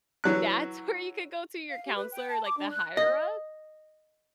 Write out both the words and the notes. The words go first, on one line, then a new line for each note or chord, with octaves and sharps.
that's where you could go to your counselor, like, the higher ups?
E3 F#3 F#6
F5
G4
B4
G5
A5
D6
D4
F#6
D#5